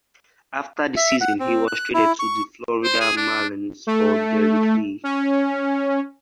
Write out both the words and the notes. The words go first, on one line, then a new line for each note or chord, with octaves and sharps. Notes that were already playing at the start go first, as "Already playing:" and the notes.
After the season, he was traded to the Florida Marlins for Derrek Lee.
E5
F#5
C4
F#6
E4
C#6
C5
G#4
D4
A3
C#4